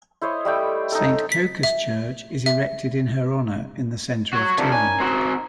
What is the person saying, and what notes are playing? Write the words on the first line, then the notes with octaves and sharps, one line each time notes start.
Saint Coca's Church is erected in her honour in the centre of town.
E4 C5 C#5 D#5
G3 A3 G5
D#4 A4
B6
E5
E5
F#4 C#5
F2 C3 D4 A#4
C#4 D#4 G#5
C4 F#4 C6